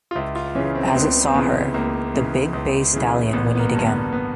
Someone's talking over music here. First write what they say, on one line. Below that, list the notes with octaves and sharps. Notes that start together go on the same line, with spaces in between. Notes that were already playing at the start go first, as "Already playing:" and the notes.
As it saw her, the big bay stallion whinneyed again.
F4
C#2 E4
F4
C#3 E3 C#4
C4
C4
C#2 B3
C4
C#3 E3 B3
C#2 A#3
C#3 E3
C#2
C#3 E3
A1 B3
B3
A#3
G2 D3
B3
B3